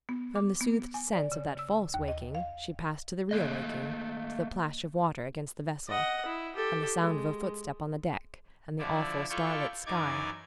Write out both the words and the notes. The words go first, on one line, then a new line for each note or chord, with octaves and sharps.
From the soothed sense of that false waking she passed to the real waking,--to the plash of water against the vessel, and the sound of a footstep on the deck, and the awful starlit sky.
B3
D6
B3
G#5
D5
C#3
E6
D#2
D#5
F5
A3 A#3 D#5
D#5 F#5
E4
G4 A4
G#3
D3 F3 E4 D5
E4 F4 A4 D5 G5 C#6
F#2 E3 D#4 D5 D6 G#6